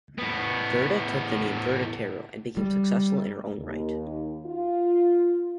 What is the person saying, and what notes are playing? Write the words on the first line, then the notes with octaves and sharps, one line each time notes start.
Gerda took the name Gerda Taro and became successful in her own right.
A2 B3
G3
D#2
F4